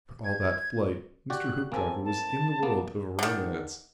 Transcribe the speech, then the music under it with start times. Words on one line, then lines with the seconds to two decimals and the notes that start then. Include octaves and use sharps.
For all that flight Mr. Hoopdriver was in the world of Romance.
0.24 G#6
1.30 F#4 G4 D5 F#6
1.72 A#3 C4 A4 G#5
2.05 A5
2.63 A#3 B3
3.19 D3 D#3